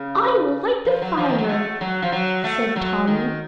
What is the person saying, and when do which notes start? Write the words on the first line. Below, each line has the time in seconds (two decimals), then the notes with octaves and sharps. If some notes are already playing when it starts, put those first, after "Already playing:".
"I will light the fire," said Tommy.
Already playing: C#3
0.86 F3
1.02 F#3
1.17 F3
1.29 D#3
1.38 F#3
1.49 A3
1.81 F#3
2.02 F3
2.12 F#3
2.44 A3
2.76 F#3
3.07 D#3